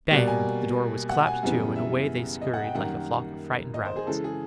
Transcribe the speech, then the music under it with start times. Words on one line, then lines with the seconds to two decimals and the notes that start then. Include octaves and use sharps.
Bang! the door was clapped to and away they scurried like a flock of frightened rabbits.
0.11 B2 G3 A#3 D5
0.28 G#5
1.10 F#5
1.27 G#5
1.43 F#2 C#3 E3 G3 B3
1.76 E5
2.42 D#5
2.54 F#5
2.64 G5
2.75 F#2 D#3 G3 A#3 F#5
3.74 D#5
3.85 C5
3.96 G#4
4.07 C#3 E3 G#3 A4
4.24 G#4